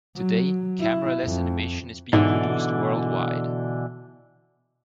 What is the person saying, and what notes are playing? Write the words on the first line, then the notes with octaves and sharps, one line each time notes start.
Today, cameraless animation is being produced worldwide.
F#3
E4
F2
G#2 B2 D3 E3